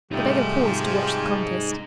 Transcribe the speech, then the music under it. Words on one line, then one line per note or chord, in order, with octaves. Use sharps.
The beggar paused to watch the contest.
C3 F3 G3 A3 D#4 G4 G#4